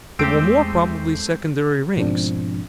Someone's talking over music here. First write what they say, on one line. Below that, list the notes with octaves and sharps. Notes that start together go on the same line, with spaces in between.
They were more probably secondary rings.
E2 G#3 A3 C4 G4 E6 D7
G#2 B2 F3 C4 D4